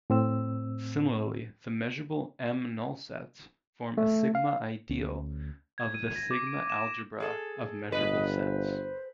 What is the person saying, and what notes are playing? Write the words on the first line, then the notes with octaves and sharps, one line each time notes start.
Similarly, the measurable "m"-null sets form a sigma-ideal of the sigma-algebra of measurable sets.
A2 C4 E6
A3
F5
D2 C#4
G#6
D#7
A#6
D6
D7
E7
G#4 A4
G1 B4 D#5
C5